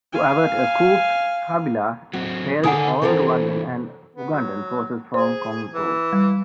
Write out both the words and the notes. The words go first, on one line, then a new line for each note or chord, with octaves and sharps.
To avert a coup, Kabila expelled all Rwandan and Ugandan forces from the Congo.
F5 G#5
F#3 C4 F#4
D3 D#3 A4 F#5 G#5 D#6
C3 E3 C4 A4 A#4
B3
F#3
G#4 C5
E3
G3